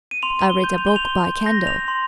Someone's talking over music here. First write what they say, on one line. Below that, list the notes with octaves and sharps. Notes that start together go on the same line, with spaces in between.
I read a book by candle.
D#7
C6 F7
G7
G6
F7
G7
F7
C6 G7
F7
G6 A#6
F7
C6